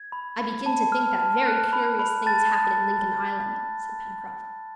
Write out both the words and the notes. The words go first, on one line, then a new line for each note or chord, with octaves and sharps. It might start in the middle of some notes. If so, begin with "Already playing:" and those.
"I begin to think that very curious things happen in Lincoln Island!" said Pencroft.
Already playing: G#6
B5
B5
A5
F6
A5
F#6
B5
B5
A5 A6